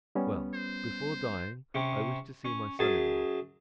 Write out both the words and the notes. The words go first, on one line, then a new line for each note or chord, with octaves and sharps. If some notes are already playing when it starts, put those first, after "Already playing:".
Well, before dying, I wish to see my son-in-law.
G3 B3 C#4
C5
C3 C#4
C#4
F#2 G#4 A5